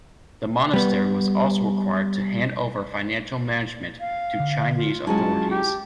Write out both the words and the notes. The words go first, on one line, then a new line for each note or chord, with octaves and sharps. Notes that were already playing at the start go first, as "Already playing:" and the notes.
The monastery was also required to hand over financial management to Chinese authorities.
G3 B3
F5
D3
F4
F#3 G#3 C#4 E4 F#4 G#5 A5
G4